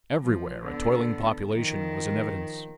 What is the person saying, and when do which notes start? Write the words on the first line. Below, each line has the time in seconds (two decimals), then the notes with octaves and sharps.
Everywhere a toiling population was in evidence.
0.20 F3
0.64 D3 B3
1.53 D#3 F3